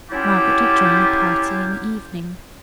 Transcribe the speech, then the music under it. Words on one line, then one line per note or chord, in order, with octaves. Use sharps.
Margaret had joined the party in the evening.
F#3 C#4 E4 F4 G4